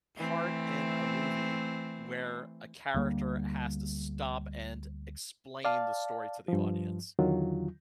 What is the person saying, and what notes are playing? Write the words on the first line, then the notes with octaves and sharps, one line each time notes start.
part in a movie where a character has to stop and explain the story to the audience.
E3 A3 C4
D2 D3 G3 A#3
D5 F5 A5
G2 F3
E2 D3 D#3 F#3 F4